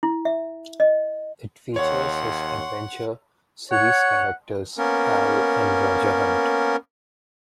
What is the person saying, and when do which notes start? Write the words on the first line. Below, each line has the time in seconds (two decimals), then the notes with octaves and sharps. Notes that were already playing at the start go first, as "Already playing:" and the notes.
It features his "Adventure" series characters, Hal and Roger Hunt.
0.03 E4
0.25 E5
0.80 D#5
1.76 D#2 C#5 F#5 C6
3.71 C#5 F#5
4.78 A#3 B3 C#4 A#4